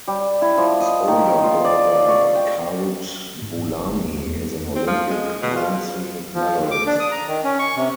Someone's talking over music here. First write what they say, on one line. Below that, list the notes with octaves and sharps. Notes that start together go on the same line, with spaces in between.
His older brother Khalid Boulami is an Olympic bronze medalist.
G3
E4
F3
D#5
D#3
F4
D5
C#6
G5
G#2
D#1
G1
D#2
E2
C4
F3
G#3
B2
F4
F3
D#2
D6
D4
D#6
A#5
D#3
C#4
C#6
C3